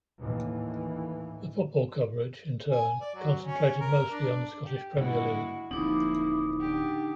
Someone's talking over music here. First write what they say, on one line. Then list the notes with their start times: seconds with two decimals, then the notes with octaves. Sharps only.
The football coverage, in turn, concentrated mostly on the Scottish Premier League.
0.19 D#2 A2 E3
2.71 G#5
3.01 D5
3.15 F#3
3.45 C#4
3.80 A#4
4.11 D4
4.65 G4
4.97 G2 D3 G#3 A#3 E4 F#4
5.71 D1 F3 A#3 C4 D#4 E4 D6 D#6
6.59 D3 G4